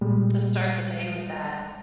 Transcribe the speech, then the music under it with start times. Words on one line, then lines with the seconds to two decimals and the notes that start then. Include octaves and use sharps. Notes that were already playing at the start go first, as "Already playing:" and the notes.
to start the day with that,
0.01 A#2 G3 G#3